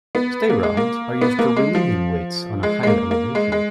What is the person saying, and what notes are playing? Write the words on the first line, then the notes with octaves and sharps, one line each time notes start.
Stay rods are used for relieving weights on a higher elevation.
B3
A#3
G#3
A#3
B3
A#3
G#3
F3
G#3
G#3
A#3
A#3
G#3
G#3